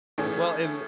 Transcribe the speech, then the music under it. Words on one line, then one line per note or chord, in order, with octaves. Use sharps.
Well, and
A2 E3 A3 C#4 G#4